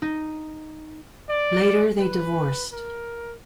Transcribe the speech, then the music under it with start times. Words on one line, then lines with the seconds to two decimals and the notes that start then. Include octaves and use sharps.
Later they divorced.
0.02 D#4
1.29 D5
2.00 B4
2.72 A#4